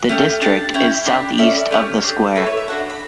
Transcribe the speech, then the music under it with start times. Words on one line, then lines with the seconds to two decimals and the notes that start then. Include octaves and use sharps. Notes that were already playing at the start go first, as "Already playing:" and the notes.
The district is southeast of the square.
Already playing: F#5
0.09 A3 C#4 G4
0.41 D4 G4 A5
0.74 C#4 E4 G4
1.06 D4 G4 B5
1.38 C#4 E4 A4 D5
1.71 A3 C#4 G4
2.04 D4 G4
2.36 A3 E4 A4 B4
2.47 C#5
2.57 E5
2.68 D4 F#4 A4 F#5
2.90 B5